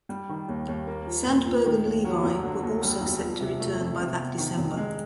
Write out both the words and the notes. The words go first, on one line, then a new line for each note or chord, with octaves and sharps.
Sandberg and Levi were also set to return by that December.
G3
D#3
D#2
D#2
A#3
F3
A#2
A#2
D#3
D#2
F#3
F1
D3
D#2
G3
E1
F3
C3
A3
F2
C3
E2
D#3
F1
G#3